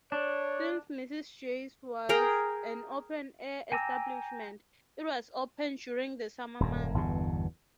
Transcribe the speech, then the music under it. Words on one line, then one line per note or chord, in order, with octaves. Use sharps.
Since Mrs. Jay's was an open-air establishment, it was open during the summer months.
D4 C#5
G#4 A#4 G5 A#5
G5 G#5 A#5 D6 E6
D#1 F#2
G1 E2 G2 B2